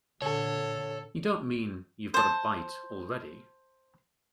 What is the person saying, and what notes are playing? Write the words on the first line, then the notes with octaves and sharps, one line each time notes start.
You don't mean you've got a bite already?
A#2 D3 A4 C#5
C5 A5